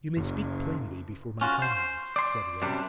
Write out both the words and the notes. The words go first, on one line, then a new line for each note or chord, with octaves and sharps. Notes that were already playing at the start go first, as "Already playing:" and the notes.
"You may speak plainly before my comrades," said Will.
F#1
C#4 F4 F#4
C5
D5 C6
F#2 C3 G3 D4